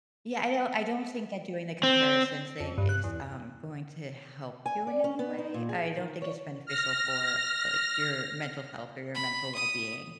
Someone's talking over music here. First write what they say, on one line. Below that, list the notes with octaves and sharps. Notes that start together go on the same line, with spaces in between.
Yeah, I do I don't think that doing the comparison thing is, um, going to help you in any way? I don't think it's beneficial for, like, your mental health or your mental well-being.
C4
F2
G2
F#6
E2
G#5
D5
C#4
B3
D#4
A#2
G#4
D#3
C#5
F6 A#6
B5
D#6